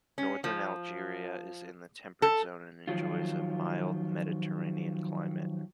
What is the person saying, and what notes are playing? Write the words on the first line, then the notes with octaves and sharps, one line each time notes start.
Northern Algeria is in the temperate zone and enjoys a mild, Mediterranean climate.
C#4
F3
A4
D#3 F3 F#3 F4